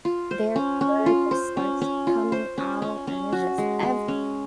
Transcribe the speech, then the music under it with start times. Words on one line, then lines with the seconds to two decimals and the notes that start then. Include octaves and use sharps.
their fur just starts coming out and it's just everywhere
0.05 F4
0.31 C5
0.56 C#4
0.81 C#4
1.06 F4
1.31 C5
1.57 C#4
1.81 C#4
2.07 F4
2.32 C5
2.58 C#4
2.82 C#4
3.07 C#4
3.32 F#4
3.58 G#3
3.83 G#3
4.08 C#4